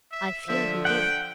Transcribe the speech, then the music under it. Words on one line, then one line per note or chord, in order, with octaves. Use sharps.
I fear he did.
E5
D3 F3 E5
F#5 G5